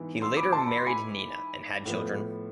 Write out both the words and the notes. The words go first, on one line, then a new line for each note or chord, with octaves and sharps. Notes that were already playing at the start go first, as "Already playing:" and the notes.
He later married Nina and had children.
Already playing: G#2 E3 B3
C6 E6
B5 D6
A5 C6
B5
C6
G#5 B5
A2 F3 B3